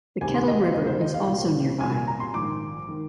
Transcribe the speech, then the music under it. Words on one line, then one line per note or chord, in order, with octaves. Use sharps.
The Kettle River is also nearby.
D2 C3 D#3 G#5
C6
D#5
F5
D2 C3 D#3 D#5
C5
D#5
F5
C2 A#2
C2 A#2 G#5
G#5
A#5
C6
A#1 G#2 D#3 D6
D#3